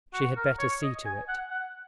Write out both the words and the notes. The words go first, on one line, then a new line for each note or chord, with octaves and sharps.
She had better see to it.
F#4
A#4
C#5
D#5
G#5
F#5
F#5